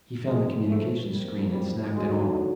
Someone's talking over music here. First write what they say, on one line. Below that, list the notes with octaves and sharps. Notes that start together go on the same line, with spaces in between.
He found the communications screen and snapped it on.
F2 C#3 F3 G#3
A3
C2 A#2 F3 G3
G3
D#2 D3 F#3 G#3